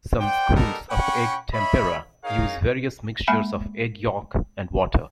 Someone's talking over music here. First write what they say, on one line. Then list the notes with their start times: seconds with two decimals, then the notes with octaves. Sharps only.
Some schools of egg tempera use various mixtures of egg yolk and water.
0.18 C5 D5 F#5 G5
0.53 G3 G#3 B3 D#4 A4 A#4
0.90 C#4 F#5 G5 B5 C#6
1.52 C#5 D#5 E5 B5
2.24 D#4 G#4 A#4 C#5 F5
3.28 G#3 A#3 E5 G#5 B5